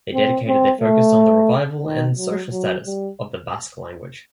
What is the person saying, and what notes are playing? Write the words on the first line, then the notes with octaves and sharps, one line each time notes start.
They dedicated their focus on the revival and social status of the Basque language.
C4
C4
A3
D#3
F#3
F#3
G3